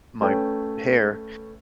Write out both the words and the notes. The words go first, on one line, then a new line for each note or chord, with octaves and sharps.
my hair,
A3 C#4 B4 G5